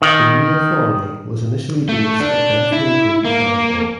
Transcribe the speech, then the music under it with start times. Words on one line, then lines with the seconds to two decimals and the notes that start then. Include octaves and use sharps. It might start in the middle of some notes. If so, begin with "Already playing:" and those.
The new authority was initially based at Bethnal Green Town Hall.
0.02 D#3
1.89 A3
2.20 D4
2.72 E4
3.25 A#3